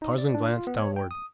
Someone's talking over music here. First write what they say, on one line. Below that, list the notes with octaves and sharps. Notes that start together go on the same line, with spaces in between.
Tarzan glanced downward.
D#4
D5
D4
F4
B3
C#5
G5
D#6